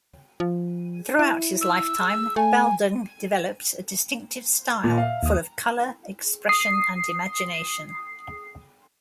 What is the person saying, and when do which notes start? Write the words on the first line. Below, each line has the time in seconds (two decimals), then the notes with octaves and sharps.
Throughout his lifetime, Baldung developed a distinctive style, full of color, expression and imagination.
0.40 F3
1.19 E4
1.61 E6
2.36 A3 G#5
4.84 A#2
4.98 E5 F5
5.22 D#2 D#6
6.49 D#6 C7